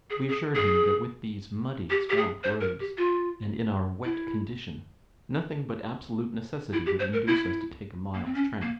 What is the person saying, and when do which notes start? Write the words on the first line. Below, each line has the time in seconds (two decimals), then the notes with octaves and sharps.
We assured him that with these muddy swamp roads, and in our wet condition, nothing but absolute necessity would induce us to take a mile's tramp.
0.10 G#4
0.29 G#4
0.55 G#4
1.90 G4
2.10 G4
2.17 G#4
2.44 C5
2.61 A#4
2.80 G4
2.98 F4
4.05 E4
6.73 E4
6.86 G4
6.99 C5
7.13 A#4
7.27 E4
8.14 A#3
8.25 C4
8.34 C#4
8.62 A#3